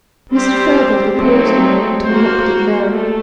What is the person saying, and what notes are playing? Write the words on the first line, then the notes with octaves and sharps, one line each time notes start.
Mr. Farebrother paused a moment and looked at Mary.
G3 C4 G4 C5
F#3 A3 C4 D#4
A#3 F#4 C5
A3